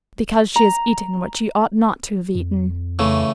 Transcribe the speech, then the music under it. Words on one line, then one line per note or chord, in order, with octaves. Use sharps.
'Because she has eaten what she ought not to have eaten.
A#5
F2
C#3 E3 A3